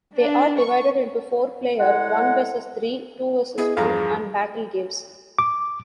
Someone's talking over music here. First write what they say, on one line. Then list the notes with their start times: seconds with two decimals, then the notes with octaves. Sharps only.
They are divided into four-player, one versus three, two versus two, and battle games.
0.18 D4
0.58 C#6
1.78 A2 G#3 F#5
3.58 B3 E4 G#4 D#5
3.77 E2 G2 F3 G#4 F5 A#5
5.39 D6